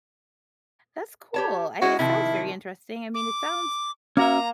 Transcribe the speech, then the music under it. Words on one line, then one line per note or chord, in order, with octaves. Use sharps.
that's cool, I it sounds very interesting, I mean, it sounds
G4 C#5 A5
G#3 C#4 E4 F#4
C3 D#3 F3 E4
D6
A#3 C#4 F#4 E5 A#5